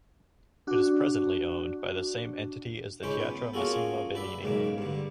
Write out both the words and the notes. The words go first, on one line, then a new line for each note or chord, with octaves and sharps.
It is presently owned by the same entity as the Teatro Massimo Bellini.
D4 F#4
C#2 G#2 C#4 B4 C5 D6
B3
A#3 C#4 F4 F#4 G#4 A4
B4 D5 E5
B1 G#2 C#3 A#3
G2 D3